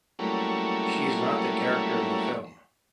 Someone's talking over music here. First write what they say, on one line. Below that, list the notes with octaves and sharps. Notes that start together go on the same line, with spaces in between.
She is not the character in the film.
F#3 G3 A3 A#3 C#4 E4